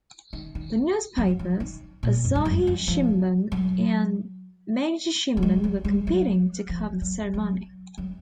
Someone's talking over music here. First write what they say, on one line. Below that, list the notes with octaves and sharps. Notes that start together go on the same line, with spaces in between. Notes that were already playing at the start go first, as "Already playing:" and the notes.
The Newspapers Asahi Shimbun and Mainichi Shimbun were competing to cover the ceremony.
D#3
D#3
F#3
F3
D#3
A#2
F#2
F2
F#2
F3
F3
F#3
F#3
G#3
F#3
G#3
F#3
F3
F#3
F#3
F#3